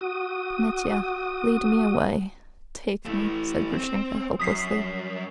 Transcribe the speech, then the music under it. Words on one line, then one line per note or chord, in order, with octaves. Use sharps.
"Mitya, lead me away ... take me," said Grushenka helplessly.
F#4 D#6
E3 A3
C4
F#2 D#6 B6 C7